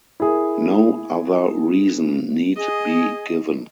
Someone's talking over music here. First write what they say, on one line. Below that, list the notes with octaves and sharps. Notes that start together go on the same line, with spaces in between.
No other reason need be given.
E4 G#4 A#4
G#4 D#5